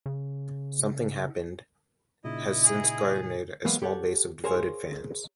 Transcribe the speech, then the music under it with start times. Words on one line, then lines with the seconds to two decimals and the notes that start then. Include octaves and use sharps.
"Something Happened" has since garnered a small base of devoted fans.
0.06 C#3
2.24 A#2 C#3 D#4 E4 D#5
2.63 G#4
3.65 E3 F#3 G#3 A#3 B3
3.82 G4 A4 C#5 F#5
4.44 G#4 A#4 C5 C#5 F5 G#5